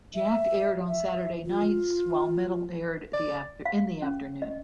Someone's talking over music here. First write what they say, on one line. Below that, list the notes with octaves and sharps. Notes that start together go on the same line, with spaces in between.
"Jakked" aired on Saturday nights while "Metal" aired in the afternoon.
E5
E5
F4
D5
F5
C#4
D#5